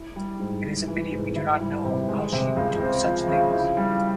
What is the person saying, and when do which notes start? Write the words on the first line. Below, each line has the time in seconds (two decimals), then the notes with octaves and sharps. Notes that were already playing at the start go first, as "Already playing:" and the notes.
It is a pity we do not know how she took such things.
Already playing: E4
0.16 G3
0.40 G#2
0.64 G#2
0.88 E3
1.12 G#2
1.35 E4
1.60 G3
1.85 C3
2.08 G#3
2.32 C3
2.56 C#2
2.80 C4
3.04 F3
3.28 C#3
3.52 E4
3.77 G3